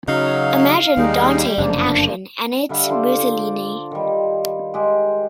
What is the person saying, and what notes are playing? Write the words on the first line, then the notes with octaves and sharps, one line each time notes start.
Imagine Dante in action, and it's Mussolini.
C#3 F#3 D#4 F5
D#2 G3 G#3 D#4
F1 F#2 C#3 F3 A#3 D4
D3 G3 E5 F5
F4 A4 C5 D5
D6
D#3 G3
G#3 G4